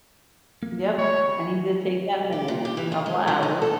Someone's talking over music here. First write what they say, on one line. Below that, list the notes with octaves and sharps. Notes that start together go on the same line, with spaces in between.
Yep, and he did take that minute, couple of hours.
A#3
A3 C#5 G5 B5
G4
A#2
G4
E3
F4
G#3
F3
D#4
A4